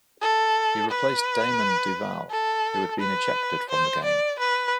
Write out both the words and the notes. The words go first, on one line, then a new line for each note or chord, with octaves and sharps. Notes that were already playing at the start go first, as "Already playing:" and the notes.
He replaced Damon Duval, who had been ejected from the game.
A4
B4
A4
B4
C5
D5
B4